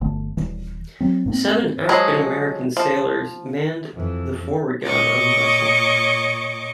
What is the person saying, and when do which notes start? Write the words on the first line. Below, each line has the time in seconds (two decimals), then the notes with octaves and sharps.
Seven African-American sailors manned the forward gun of the vessel.
0.01 G1 D3 A3
0.37 D#1 E3 G3
1.00 F#3 C4
1.26 G#2 A#3 C4
1.89 F3 F#3 G#3 G#4
2.77 F3
3.94 F2 E3
4.84 A#2 C#5 D#5 C#6 D6